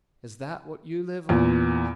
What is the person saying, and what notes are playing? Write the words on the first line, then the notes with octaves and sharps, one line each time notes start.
"Is that what you live on?"
E2 A#2